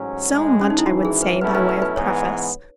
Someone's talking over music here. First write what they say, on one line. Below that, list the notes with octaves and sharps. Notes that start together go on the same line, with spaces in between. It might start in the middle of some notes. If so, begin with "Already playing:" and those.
So much I would say by way of preface.
Already playing: A1 G#2 F#3 C#4
A1 A2 G#3
C#4
D#4
E4
G#1 G#2 E3 F#4
G#4
B4
B2 F#3 A3 C#4 E4 B4
B4
B4
B4
G#2 E3 B3 C#5